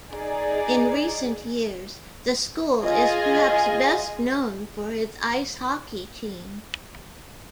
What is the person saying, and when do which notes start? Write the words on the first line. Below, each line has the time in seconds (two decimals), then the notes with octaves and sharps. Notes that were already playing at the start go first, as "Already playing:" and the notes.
In recent years, the school is perhaps best known for its Ice Hockey team.
0.12 D#4 G#4 D5
2.82 F4 G#4 D#5 G#5